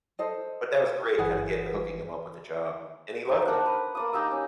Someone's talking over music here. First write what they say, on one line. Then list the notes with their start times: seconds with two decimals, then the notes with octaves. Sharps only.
but that was great kinda get hooking him up with the job, and he loved it.
0.19 A4 C5 D#5
1.18 G1 E3 G#4 B4 F#5
3.29 D#4 C5
3.45 D4 A#4 F#5
3.66 B4
3.95 A#3 D5 D#6
4.13 D#4 G4 A#5 E6
4.31 C#4